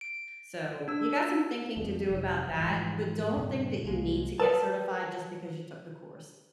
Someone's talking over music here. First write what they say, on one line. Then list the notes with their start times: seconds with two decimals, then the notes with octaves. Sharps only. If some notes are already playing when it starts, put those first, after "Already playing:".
So, you got some thinking to do about that, but don't think that you need to get certified just because you took the course.
0.01 D7
0.88 D4 E6
1.77 F2
2.10 F1
2.56 G#2 E3 F3
3.37 G2 A#2 C#3 D4
3.84 C2 F#3 G#3 A#3
4.40 A#4 B4 A5 D#6